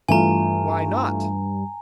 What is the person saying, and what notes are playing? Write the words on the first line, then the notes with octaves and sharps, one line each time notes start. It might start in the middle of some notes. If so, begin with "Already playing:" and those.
Why not?
G2 E3 A3 F4 G#5 A#5